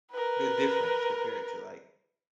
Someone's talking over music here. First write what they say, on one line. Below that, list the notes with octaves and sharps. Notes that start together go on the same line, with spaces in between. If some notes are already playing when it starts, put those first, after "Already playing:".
the difference compared to like
A#4 B4